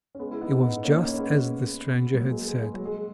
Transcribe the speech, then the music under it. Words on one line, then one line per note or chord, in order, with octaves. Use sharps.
It was just as the stranger had said.
C#4
G#3 B3
E4
B3 D#4
B3 D#4
A#3 C#4
C#4
G#3 B3
F#3 A#3
G#3
G#3
G#3
F#3
G#3